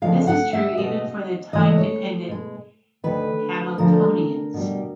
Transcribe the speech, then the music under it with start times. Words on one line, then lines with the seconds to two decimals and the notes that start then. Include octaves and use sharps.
This is true even for time dependent Hamiltonians.
0.02 D2 C#3 F3 G#3 F5
0.27 F#5
0.53 E5
0.77 B2 G#3 D#5
1.52 E2 C#3 E3 A3 D#5
1.78 C#5
2.28 B2 G#3
3.04 D2 C3 D#3 B4
3.78 D2 D3 F3 A#4
4.54 B2 G3